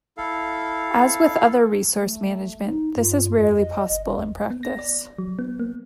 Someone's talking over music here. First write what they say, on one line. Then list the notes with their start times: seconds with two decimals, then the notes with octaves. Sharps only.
As with other resource management, this is rarely possible in practice.
0.17 E4 A4 F5
1.98 A3
2.65 D#4
2.97 G2 F4
3.39 F2 D#5
3.90 G1
4.19 E2
4.50 B3
4.63 A#6
4.79 D5
5.18 F#3
5.39 B3
5.60 A#3